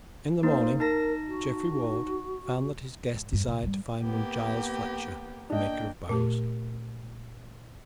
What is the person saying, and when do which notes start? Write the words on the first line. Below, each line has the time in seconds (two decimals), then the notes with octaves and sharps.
In the morning Geoffrey Ward found that his guest desired to find one Giles Fletcher, a maker of bows.
0.43 A#3 D#4 C5
0.80 D#4 A#4 A5 A#6
1.28 F#4
3.14 G#1
3.32 E2 G2
3.48 C3
3.63 G2 G3
4.02 A#3 B3 G4
5.50 A#3 D4 D#5 G5
6.09 A#2 A3 G4